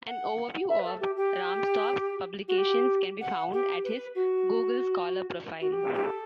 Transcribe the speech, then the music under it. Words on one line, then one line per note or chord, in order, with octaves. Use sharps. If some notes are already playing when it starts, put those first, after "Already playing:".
An overview of Rahmstorf's publications can be found at his Google Scholar profile.
F#5
E5
B4
A4
G4
G4
F#4
G4
F#5
G4
B4
F#4
F#4
G4
G4
A4